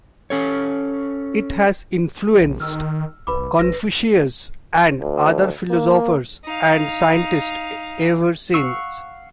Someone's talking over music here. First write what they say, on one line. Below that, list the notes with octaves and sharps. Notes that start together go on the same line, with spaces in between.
It has influenced Confucians and other philosophers and scientists ever since.
C#4 A4 C#5
A#1
D#3 E6 F6
C2 B4 B5 D6
G#1 B4 A#6
D2
A#3
D#4 F5
F5 F#5 C#6 E6